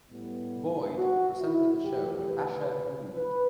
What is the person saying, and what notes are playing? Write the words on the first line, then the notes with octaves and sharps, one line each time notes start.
Boyd presented the show with Asher Gould.
A2 G3 B3
F#4
E4
E2 B2 A3 G4
B4
B4